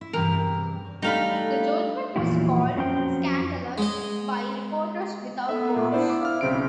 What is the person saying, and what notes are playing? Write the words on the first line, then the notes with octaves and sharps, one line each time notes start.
The judgment was called "scandalous" by Reporters Without Borders.
E4
E2 G2 C3 A#4
G3 A3 D4 D#4 F5 B5
E2 A#2 F3 F#3 A#3 E4
F2 F#3 C#4 C5 G5
G#3 D#5
B3 A4 E5
A#2 A3
D4 E4 C5 D5
D6
F5 F6
B1 C#3 C4 D7